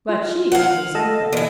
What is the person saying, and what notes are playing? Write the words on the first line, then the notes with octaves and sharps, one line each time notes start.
But she gave me something.'
F4
F5 F#5
A4 D#5 A5
E2 E3